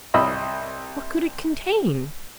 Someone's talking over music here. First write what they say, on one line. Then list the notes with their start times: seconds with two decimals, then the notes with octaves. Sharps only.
What could it contain?
0.14 C2 D#5 B5 E6